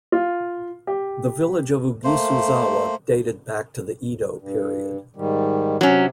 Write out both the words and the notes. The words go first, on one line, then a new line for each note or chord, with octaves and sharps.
The village of Uguisuzawa dated back to the Edo Period.
F4
G4
A3 A#3 C5
G2
G#2 D#3 G3
C3 F#3 C#4